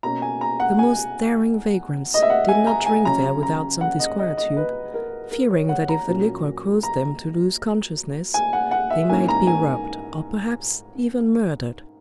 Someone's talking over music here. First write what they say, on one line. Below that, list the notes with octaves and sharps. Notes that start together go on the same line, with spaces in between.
The most daring vagrants did not drink there without some disquietude, fearing that if the liquor caused them to lose consciousness, they might be robbed or perhaps even murdered.
B2 A#3 C#4 A#5
G#5
A#5
F#5
G#5
D#5
E5
F#5
G#5
A#5
G#5
C#3 F#3 C#4 A#5
A#5
F#5
D#5
D#5
D#5
B4
A#4
A#4
C#5
F#5
A#5
A#2 F#3 A#3 C#4
A#5
G#5
F#5
F#5
E5
G#2 E3 A#3 C#4 G#5
A#5
G#5